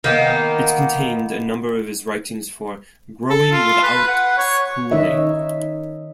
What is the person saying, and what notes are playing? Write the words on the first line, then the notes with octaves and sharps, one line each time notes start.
It contained a number of his writings for "Growing Without Schooling".
D#3 A#3 B3
A4
F4
B4
F#5
C#5
D#3 D#4 C#5 D#5 E5